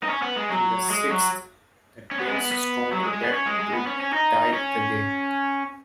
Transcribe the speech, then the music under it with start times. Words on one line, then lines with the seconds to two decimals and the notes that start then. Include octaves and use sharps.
In the sixth, the Twins stormed back to tie the game.
0.04 D#4
0.10 C#4
0.23 B3
0.37 G#3
0.50 F#3
0.90 G#3
1.11 F#3
2.11 C#4
2.19 B3
2.27 G#3
2.35 B3
2.52 B3
2.92 F#3
3.02 G#3
3.13 G#3
3.23 B3
3.32 C#4
3.46 G#3
3.59 G#3
3.72 B3
3.87 C#4
4.00 C#4
4.13 D#4
4.53 C#4